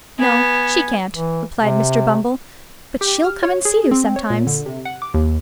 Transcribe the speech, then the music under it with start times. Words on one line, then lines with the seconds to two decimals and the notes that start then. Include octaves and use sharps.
'No, she can't,' replied Mr. Bumble. 'But she'll come and see you sometimes.'
0.19 B3 G#5
1.13 E3
1.58 C3
3.01 G4
3.24 F6
3.43 C#5
3.65 G#4
3.91 C4
4.16 C#5
4.30 A#2
4.47 D3
4.66 C3
4.85 F#5
5.02 D6
5.14 D#2